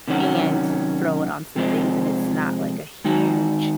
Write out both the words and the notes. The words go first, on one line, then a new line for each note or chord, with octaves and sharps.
and throw it on some things, and it's not, like, a huge
C3 D#3 F#3 C#4 F#4
C3 F3 G#3 C4
D#3 G#3 D#4 F#4